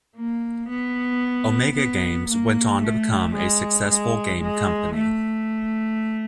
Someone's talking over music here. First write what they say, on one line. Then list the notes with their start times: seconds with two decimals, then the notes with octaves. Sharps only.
Omega Games went on to become a successful game company.
0.16 A#3
0.69 B3
1.76 B3
2.29 A#3
2.82 A3
3.35 G#3
3.89 G#3
4.42 G#3
4.96 A3